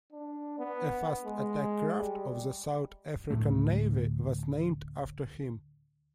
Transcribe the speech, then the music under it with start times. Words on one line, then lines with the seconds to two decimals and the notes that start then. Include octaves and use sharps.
A Fast Attack Craft of the South African Navy was named after him.
0.12 D4
0.58 B3
1.26 G#3
1.99 G3
3.30 D2 A2 A3